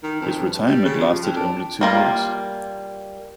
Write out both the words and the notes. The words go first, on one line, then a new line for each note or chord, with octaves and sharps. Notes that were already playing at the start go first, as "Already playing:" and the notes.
His retirement lasted only two years.
D#3
F2
G2
G3
C#3
F3
F2
D4
G3 A#3 F4